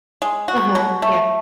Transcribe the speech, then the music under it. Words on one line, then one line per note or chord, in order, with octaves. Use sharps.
Uh-huh, yeah.
G#3
F#4
B2
A3